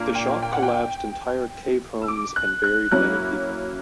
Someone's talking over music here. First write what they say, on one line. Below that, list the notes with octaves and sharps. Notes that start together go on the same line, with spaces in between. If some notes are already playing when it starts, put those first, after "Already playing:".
The shock collapsed entire cave homes and buried many people.
Already playing: A#2 A#3 D4
G5
G5
F#5
G5
E6
D6
F#6
F#6
F#3 A#3 C#4 E4 F#6